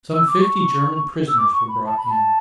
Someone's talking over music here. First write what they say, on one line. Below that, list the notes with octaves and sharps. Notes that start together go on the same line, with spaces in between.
Some fifty German prisoners were brought in.
E6
D6
C#6
E6
D6
C#6
B5
A5
B5
A5